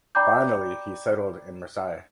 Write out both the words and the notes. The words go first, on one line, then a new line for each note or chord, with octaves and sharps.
Finally he settled in Marseilles.
D5 G5 A#5 B5 D6 G6